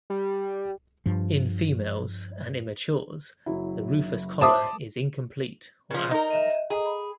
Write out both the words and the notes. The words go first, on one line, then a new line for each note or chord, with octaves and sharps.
In females and immatures the rufous collar is incomplete or absent.
G3
G2 F3
F#1 F#3 E4
C5 E5 A5 C6 D6 D#6
C#3 F3
D#4 A#4
D#5 E5
G#4 D#5 A#5
B5